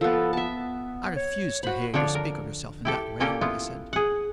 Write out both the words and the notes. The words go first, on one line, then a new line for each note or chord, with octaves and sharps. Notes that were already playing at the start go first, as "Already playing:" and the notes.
"I refuse to hear you speak of yourself in that way," I said.
F3 B3 A4
B3 E5 A5
C#5
F#4 C5 B5
D3 F3 D4 C#5
A#4
E4 G4 A4
A#2 A#3 C#4 G4 A4
B3 E4 F4
G#4 F#5